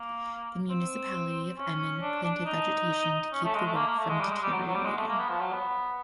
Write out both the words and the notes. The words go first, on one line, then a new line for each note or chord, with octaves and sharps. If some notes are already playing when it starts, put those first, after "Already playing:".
The municipality of Emmen planted vegetation to keep the work from deteriorating.
Already playing: A#3
C4
C#4
D4
D4
D#4
C#4
A3
G#3
A3
A#3
A#3
A3
G#3
G3
G#3
G3
F#3
F#3
G3
G#3
A3
A#3
B3
F3
F#3
B3